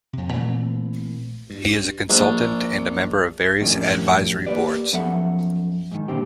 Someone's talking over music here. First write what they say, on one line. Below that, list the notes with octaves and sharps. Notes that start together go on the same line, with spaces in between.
He is a consultant and a member of various Advisory Boards.
F2 C3
A#2 E3 A3 C4
G2
A#1
F2 A2 D#3 G3 C#4
A#3 G4 B4 D5
F#2 F3 B3 A4 E5 F#5
G#2 D#3
A#2 D3 G3 C4 G4